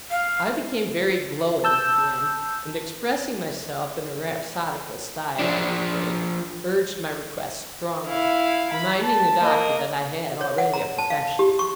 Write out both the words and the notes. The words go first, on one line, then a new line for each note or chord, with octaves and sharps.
I became very glowing again, and, expressing myself in a rhapsodical style, I am afraid, urged my request strongly; reminding the Doctor that I had already a profession.
F5
A5 E6 G6
F3 D4
E4 F5
B5
A5
A#3 D#5
C#5
F#5
A#5
A5
F5
G4
C#6